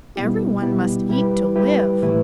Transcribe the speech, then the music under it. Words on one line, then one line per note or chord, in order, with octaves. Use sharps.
Every one must eat to live.
B2 G3 B3 E4 G4
B2 G3 B3 E4 G4
G3 E4 G4 B4
G3 E4 G4 B4
A2 E3 A3 E4 B4